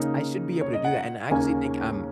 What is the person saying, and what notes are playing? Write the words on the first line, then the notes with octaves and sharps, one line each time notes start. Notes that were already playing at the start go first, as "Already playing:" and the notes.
I should be able to do that, and I actually think, um,
Already playing: C#3 A#3 D#4
C#5
D#5
F#5
D#2 C#3 A#3 C#4 G#5